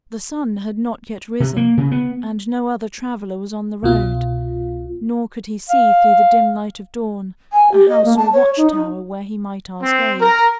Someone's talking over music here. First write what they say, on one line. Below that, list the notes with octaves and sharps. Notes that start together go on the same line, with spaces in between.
The sun had not yet risen and no other traveler was on the road, nor could he see through the dim light of dawn a house or watch-tower where he might ask aid.
C3
A#3
C#3
B3
C2 B2 F4
F5
G#5
G4
D#5
A#3
A5
C#5
D#4
D#4
C4
A#4